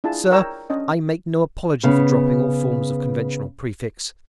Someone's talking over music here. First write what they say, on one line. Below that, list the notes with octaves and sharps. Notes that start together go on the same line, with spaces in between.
Sir, I make no apology for dropping all forms of conventional prefix.
D4 E4 F4 G#4 A5
A#4 C#5 D5 G5 A#5 E6
C#4 D4 D#5
C#3 B3